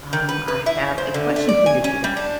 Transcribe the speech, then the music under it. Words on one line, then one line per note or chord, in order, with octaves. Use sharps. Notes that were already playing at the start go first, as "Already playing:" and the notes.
Um, I have a question for you today.
D#3
B4
B4
E4
C5
D3
A3
D5
G#5
C#4
G3
D4